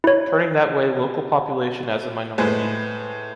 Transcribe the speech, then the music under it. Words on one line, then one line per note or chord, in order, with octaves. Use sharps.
Turning that way local population as a minority.
E4 C#5
A2 G#3 B4 C5 G#5